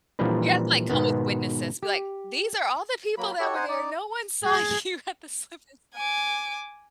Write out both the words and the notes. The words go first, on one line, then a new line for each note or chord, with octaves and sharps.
You have to, like, come with witnesses, be like, "These are all the people that were there, no one saw you at the slip and slide."
A#2 E3 F3 G3 D4 B4
G#2 B2 D#3 B3
G4
F#3 A#3 B5
F#4 G4 A4 C#5
D#4 C5 F#5 G#5
D#4 D5
G#4
G#5 D6